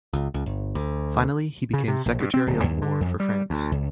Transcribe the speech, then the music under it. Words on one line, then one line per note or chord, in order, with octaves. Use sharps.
Finally he became Secretary of War for France.
C#2
C#2
G1
D2
C#3
C3
A#1
G2
C4
D1
D#2
D3
F2
G3
D2
C#2